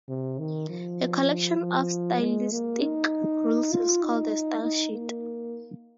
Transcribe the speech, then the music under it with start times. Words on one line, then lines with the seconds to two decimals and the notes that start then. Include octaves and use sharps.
A collection of stylistic rules is called a style sheet.
0.09 C3
0.39 D#3
0.69 F3
1.59 F3
2.21 G#3
2.51 A#3
2.81 D#4
3.72 F4
4.03 D#4
4.63 D#4
4.93 A#3